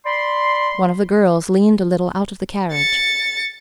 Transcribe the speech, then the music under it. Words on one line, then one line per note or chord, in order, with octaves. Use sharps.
One of the girls leaned a little out of the carriage.
D5 B5 C6
A6 C#7